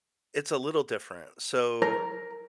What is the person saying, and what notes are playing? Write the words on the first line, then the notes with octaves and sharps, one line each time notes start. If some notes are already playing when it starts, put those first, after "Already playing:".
It's a little different, so
A#4